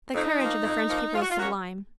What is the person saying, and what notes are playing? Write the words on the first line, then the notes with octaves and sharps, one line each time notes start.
The courage of the French people is sublime.
F2 D#4
F3 A#3
F2
F3 A#3
G#2 F4
F#4
F4
F#3 A#3 C#4 F#4